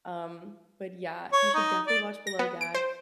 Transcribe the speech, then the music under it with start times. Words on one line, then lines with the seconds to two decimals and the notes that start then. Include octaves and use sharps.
um, but yeah, you should definitely watch Below Deck,
1.32 C#5
1.54 D#4
1.87 D5
2.27 A#6
2.39 B3
2.61 D7
2.75 C5